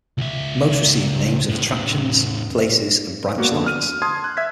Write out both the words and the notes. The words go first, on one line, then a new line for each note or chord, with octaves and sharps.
Most received names of attractions, places and branch lines.
C#2 E5
E2 A2
A#3 B3 F#4
D3
F6 D#7
A5 C6 D#6 G#6
F#6
E5 G#6 B6